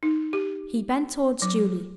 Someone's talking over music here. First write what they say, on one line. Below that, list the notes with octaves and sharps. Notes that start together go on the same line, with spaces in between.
He bent towards Julie.
D#4
G4
F#3